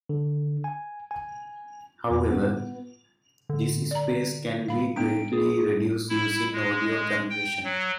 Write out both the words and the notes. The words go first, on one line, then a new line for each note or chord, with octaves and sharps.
However, this space can be greatly reduced using audio compression.
D3
G#5
G#5
E2
B3
D3
D5 A#5
F5 B5
G#3 B3 D4 D7
G#4
E4
G#3
G#3
G5
F#3